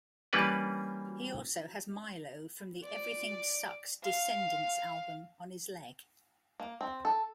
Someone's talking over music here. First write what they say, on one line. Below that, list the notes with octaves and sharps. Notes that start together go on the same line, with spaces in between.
He also has Milo from the "Everything Sucks" Descendants album on his leg.
E3 G3 A#3 C#4 B4 D5
D5
F5
A#3
C4
A4